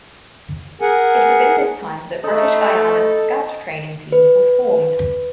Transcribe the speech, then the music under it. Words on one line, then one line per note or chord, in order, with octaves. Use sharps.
It was in this time that British Guiana's Scout Training Team was formed.
G#4 A#4 F#5 G#5
A3 D#4 A4 B5
B4